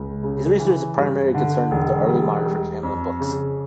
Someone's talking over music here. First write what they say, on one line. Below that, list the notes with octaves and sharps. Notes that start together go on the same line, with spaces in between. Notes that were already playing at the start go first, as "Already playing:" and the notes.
His research is primarily concerned with the early modern French emblem books.
Already playing: C#2
C#3
E3
G2
D3
E1
G3
G3
F2
C#3